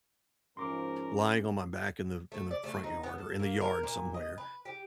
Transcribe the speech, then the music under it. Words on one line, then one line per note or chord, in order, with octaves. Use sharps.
lying on my back in the in the front yard or in the yard somewhere
G#2 F3 C#4 A#4 C6 D6
A3
D5
A3
D#4
B3
A4
A#3
A#4
A#2
D#5
B4
G4